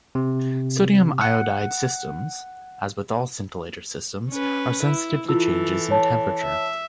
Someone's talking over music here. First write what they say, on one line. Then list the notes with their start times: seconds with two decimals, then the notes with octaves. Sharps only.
Sodium iodide systems, as with all scintillator systems, are sensitive to changes in temperature.
0.15 C3
1.21 F#5
4.31 C#4 B4
4.83 E4
5.29 E3 E4 F4 A4 E6
5.91 C#5 A5
6.42 E5